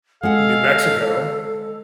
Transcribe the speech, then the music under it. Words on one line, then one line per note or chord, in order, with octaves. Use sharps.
New Mexico
G#3 A4 F5 F#5